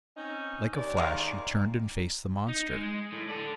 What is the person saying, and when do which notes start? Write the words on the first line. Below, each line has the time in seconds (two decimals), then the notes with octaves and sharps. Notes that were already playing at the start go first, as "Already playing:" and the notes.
Like a flash she turned and faced the monster.
0.16 C4 C#4 D#4
0.76 D#2 D5
0.97 D#3 G#3 A#3
2.48 D#4
2.73 G#3
3.13 A2
3.29 A4 D5